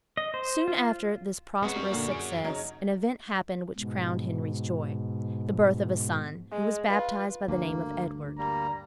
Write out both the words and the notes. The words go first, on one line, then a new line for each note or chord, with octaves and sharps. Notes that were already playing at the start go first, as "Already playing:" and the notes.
Soon after this prosperous success, an event happened which crowned Henry's joy--the birth of a son, who was baptized by the name of Edward.
D#5
C5
F4
F#2 G#3 B3 F#4
G3
A#2 D3 A#3
G#4 D7
C#3 F#3 D#4
G#2 B2
G#3
F4 B4
D2 G2 A#3
G3 A#3 A#5